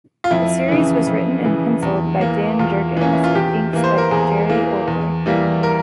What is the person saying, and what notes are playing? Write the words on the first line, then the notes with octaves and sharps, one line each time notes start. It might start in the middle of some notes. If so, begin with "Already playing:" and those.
The series was written and penciled by Dan Jurgens, with inks by Jerry Ordway.
F4
F2 E4
C#3 E3
F2
C#3 E3
E2
E3 A#3
E2 F4
E3 A#3 C#4
E4
F4
E2 G4
E3 A#3
C5
A#4
E2 G#4
E3 A#3
E2
E3 G3 A#3
A#4